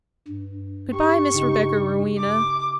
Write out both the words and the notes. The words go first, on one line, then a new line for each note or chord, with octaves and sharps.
Good-by Miss Rebecca Rowena!
G2
G4 C#6
C#3 D#4 G4
D6